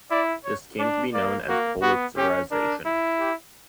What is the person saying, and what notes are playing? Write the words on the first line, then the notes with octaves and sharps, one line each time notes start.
This came to be known as politzerisation.
E4 D5
C#5
D4 D5
A#3 D5
A#3 F#4
B3 F#4
C#4 G4
D4 A#4
E4
G4